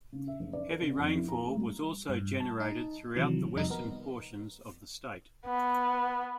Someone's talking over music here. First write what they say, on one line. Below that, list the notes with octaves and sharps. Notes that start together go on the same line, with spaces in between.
Heavy rainfall was also generated throughout western portions of the state.
C#3
E5
F#1
D5
A#4
C#3
F2
E4
A#5
A3
G3
G2
A5
D#4
C3 D#3 E3 F#3
F2 C3 G3 D#4
B3 A#4
B3